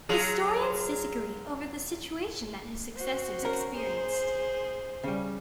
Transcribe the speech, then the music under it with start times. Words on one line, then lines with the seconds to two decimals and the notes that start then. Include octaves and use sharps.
Historians disagree over the situation that his successors experienced.
0.09 F#3 F4 G#4
2.95 F#4 C5
3.42 C#4 A#4
3.74 G#4 C5
5.03 C#3 G3